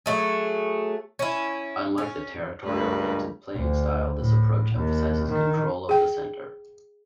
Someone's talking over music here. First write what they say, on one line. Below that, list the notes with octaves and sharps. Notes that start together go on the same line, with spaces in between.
Unlike the territory-oriented playing style, this approach emphasizes control of the center.
F#3 A3 G#4
C#4 E4
C#4
C#2 G2 A3 A#4 B4
D2
A2
D#2
D#3
G#4 G5